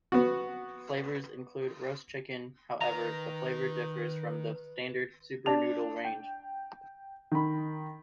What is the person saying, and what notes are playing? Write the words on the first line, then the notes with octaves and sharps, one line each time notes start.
Flavours include Roast Chicken, however, the flavour differs from the standard Super Noodle range.
B3 F#4
D#3 B4 A#5
D4 A5 F7
G5
D#3 B5